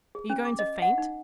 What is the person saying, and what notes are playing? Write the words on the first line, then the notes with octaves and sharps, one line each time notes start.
Are you going to faint?
G#4
C#4
D6
D#5
F#5
D#4